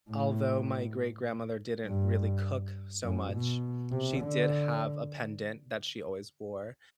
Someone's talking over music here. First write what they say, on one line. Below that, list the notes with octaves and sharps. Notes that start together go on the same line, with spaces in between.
Although my great grandmother didn't really cook so much, she did have a pendant that she always wore,
A2
G2
F#2
B2
C3
D3